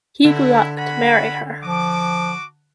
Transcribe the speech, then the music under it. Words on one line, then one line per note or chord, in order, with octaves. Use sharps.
He grew up to marry her.
D3 E4
C#4 F#4 F#5 B5
F3 F#4 D6